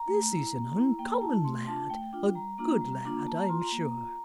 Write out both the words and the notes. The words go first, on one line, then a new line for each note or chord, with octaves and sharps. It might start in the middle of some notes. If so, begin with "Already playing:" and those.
'This is an uncommon lad; a good lad, I'm sure.'
Already playing: A#5
A3
E4
A#3
E4
A#3 G5
A#5
E4 A5
A3 C6
D4 F4 A5
A3 G5
D4 F4 G5
G3 A#5
A#3 D4 F4 A#5
G3
A#3 D4 F4
A#3 A5
A#5
F4 C6
A#5
A#3
F4